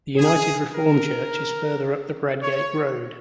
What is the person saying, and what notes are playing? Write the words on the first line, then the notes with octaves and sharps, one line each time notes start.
The United Reformed Church is further up Bradgate Road.
G#4
A#4
C#5